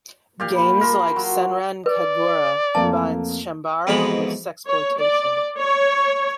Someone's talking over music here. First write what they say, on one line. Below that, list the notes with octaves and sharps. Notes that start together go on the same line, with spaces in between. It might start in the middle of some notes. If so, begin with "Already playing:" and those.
Games like Senran Kagura combines Chambara with sexploitation.
A#2 G4 F5
B5
A#4 A5 C6
F#3
B4 D5
F2 A3 A#3 A5
F2 G#2 B2 E3 B5
C#5
D5
C#5